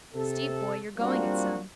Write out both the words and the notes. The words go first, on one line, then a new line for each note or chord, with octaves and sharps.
Steve boy, you're going it some.
C3 A4
G3 A#3 C4 D4 F4 F#4